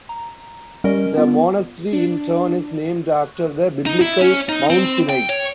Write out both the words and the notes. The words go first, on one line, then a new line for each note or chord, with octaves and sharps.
The monastery in turn is named after the Biblical Mount Sinai.
A#5
G3 C#4 A#4 D#5
B3 F4
D4
D#4
E4
C#4
D#4
C4
G5
C#5